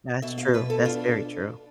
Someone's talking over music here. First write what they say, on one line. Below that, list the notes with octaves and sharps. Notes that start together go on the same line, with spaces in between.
That's true, that's very true.
B2 E5
F5
B2 B4
A4
D4 F4